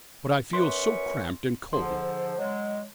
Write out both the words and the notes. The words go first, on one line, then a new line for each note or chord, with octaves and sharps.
"But I feel so cramped and cold."
F#2 B4 C6 C#6
G#2 D3 F3 C6
F#3 G#3